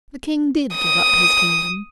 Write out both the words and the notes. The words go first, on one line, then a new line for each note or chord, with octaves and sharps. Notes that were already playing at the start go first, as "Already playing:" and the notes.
The King did give up his kingdom.
D#6